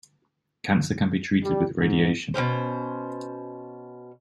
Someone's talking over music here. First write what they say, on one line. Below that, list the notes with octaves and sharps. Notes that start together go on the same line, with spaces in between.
Cancer can be treated with radiation.
G3
G#2
B2 D3 C#4 C5